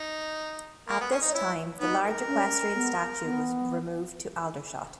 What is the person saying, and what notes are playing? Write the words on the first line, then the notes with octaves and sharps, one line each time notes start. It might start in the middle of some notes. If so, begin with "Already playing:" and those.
At this time, the large equestrian statue was removed to Aldershot.
Already playing: D#4
A#3
B3
C#4
D#4
D#5
E4 C#5
B3 D#4
A#4
C#4
B3
B3